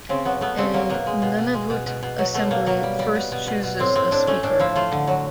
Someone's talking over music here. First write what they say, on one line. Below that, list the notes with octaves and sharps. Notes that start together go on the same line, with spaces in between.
A Nunavut Assembly first chooses a Speaker.
C#3 C4
F#3 B3
A3 B3
C#3 C4
F#3 A#3
B2 A#3
G#3
B2
B2
G#3
B2
B2
B2
F#3
B2 A3
B2 A#3
F#3 A#3
G3
G3
B2
B2
B2
B2
A2 C4
A2 C4
A2 D4
A3 C#4
A2 D4
F3 E4
A3 F4
D3
F#3